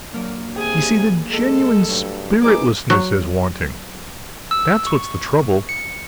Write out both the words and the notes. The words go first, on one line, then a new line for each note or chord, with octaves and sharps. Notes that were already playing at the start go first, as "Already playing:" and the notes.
You see, the genuine spiritlessness is wanting; that's what's the trouble.
F#3 A#3 D4
C3 G4 G#4 G#5
G#3 A4
G2 F#3 A3 C#4
A#3 D#4 G#4 B4 D6
F#3
E6
C#6
C#7